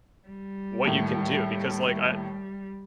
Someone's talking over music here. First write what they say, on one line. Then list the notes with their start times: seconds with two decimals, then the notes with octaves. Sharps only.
what you can do, because, like, I, eh, eh
0.28 G3
0.85 D#2 A2